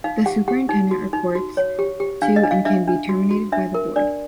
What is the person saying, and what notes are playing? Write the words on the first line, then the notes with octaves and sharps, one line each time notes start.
The Superintendent reports to and can be terminated by the Board.
D#4 F5
G4 F#5
G4 F#5
D#4
F#4
D#4
F#4
C#5
G4
G4
D4 F5
D#5
D4
F5
D4 E5
D4
F#4
F#4
D4 E5
A#4
D4 D5